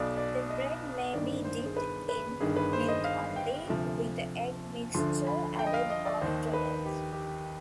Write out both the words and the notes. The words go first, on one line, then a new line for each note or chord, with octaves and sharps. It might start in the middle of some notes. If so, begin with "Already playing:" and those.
The bread may be dipped in milk only, with the egg mixture added afterwards.
Already playing: B1 B2 D5
D5
D#5
G1 G2 D#3 D5
C5
G#4
B4
B4
G1 G2 D#3 G#4
B4
C5
D#5
F5
G5
D2 C3 F3
D2 D3 F3 C6
B5
G5
D#5
F5
D#5
D5
D#2 D#3 C5
B4
G4
G4